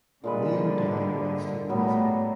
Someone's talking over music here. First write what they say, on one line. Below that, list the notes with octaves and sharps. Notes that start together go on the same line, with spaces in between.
Leo died whilst in prison.
A#2 D3 G3 G#3 B4
A2 F#3 G3 B3